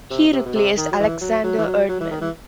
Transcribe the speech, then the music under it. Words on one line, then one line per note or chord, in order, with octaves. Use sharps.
He replaced Aleksander Erdman.
C3
C3
B2
C3
D#3
F#3
E3
F#3
F#3
E3
F#3
F#3
E3
D#3
E3